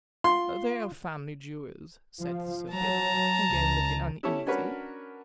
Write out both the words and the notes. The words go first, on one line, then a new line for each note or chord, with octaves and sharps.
"They are family jewels," said Sir Pitt, again looking uneasy.
F4 C6
F3
F#3 A5 A#5
C#2
C#4 E4 G4 A4 C#5
C#4 D4 F#4 A#4 B4 C#5